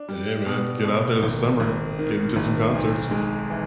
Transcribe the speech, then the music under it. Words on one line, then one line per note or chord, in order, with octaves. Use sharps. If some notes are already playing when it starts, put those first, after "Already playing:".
H hey, man, get out there this summer. Get into some concerts.
Already playing: D4
G3
B2
B2
G#1
G#1
D#3
G#1
B1
G#3
E3